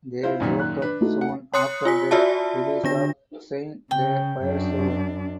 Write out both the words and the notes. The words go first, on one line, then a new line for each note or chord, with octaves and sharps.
They broke up soon after the release of "Saint the Fire Show".
E4 F4 C5
F#2 A#2 D#3
F#6
D4 B4
A3 D#4 F#4
F#5
C#5 C6 D#6 F#6 C#7
F4 G#5 B6
F4 F#4 D5 E5 A5
D3 D4 A#6
C#3 G5
F#2 D4